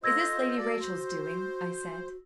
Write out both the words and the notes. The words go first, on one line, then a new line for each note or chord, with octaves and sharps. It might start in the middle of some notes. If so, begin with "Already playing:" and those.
"Is this Lady Rachel's doing?" I said.
F4 A4 C5 D#5 E6 G#6 A#6
A#3 F#4 A4 D5
C5